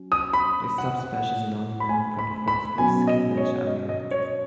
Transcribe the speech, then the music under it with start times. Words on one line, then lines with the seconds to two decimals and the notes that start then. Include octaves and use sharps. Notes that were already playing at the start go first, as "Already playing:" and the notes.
This subspecies is only known from the Falls Creek Ski Village area.
Already playing: F#3 C#4
0.12 D#6
0.33 B5
0.78 F#5
0.99 F#5
1.80 B5
1.89 G#5
2.19 B5
2.48 B5
2.78 B2 F#3 C#4 G#5
3.07 D#5
3.37 C#5
3.67 D#5
3.89 D#5
4.11 C#5